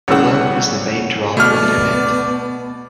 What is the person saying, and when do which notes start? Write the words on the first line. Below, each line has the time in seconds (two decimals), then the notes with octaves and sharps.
Below is the main draw for the event.
0.08 C2 C#3 C#5 F#5 E6
1.37 B2 A3 B3 D5 F6